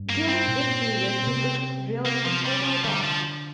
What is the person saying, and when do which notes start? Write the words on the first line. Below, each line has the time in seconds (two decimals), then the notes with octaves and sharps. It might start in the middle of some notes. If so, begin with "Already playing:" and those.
During this period he could really do no wrong.
Already playing: G2
0.09 A#3
0.28 C4
0.48 A#2
1.27 C3
2.06 A#3
2.26 F3
2.46 G3
2.65 F3
2.84 D3 G3
3.04 F3